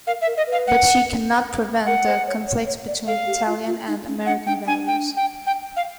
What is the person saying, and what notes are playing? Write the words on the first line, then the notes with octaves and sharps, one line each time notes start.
But she cannot prevent the conflict between Italian and American values.
A#4 F5
E5
A#4
D#5
B4
F5
F#5
A#4 F#5
C5
C#5
C#5
C#5
D5
A4 F5
G4
F4
F4
D#4
C#4
D4 F#5
D4 G5
D4 G#5
G5
G5
G5
F5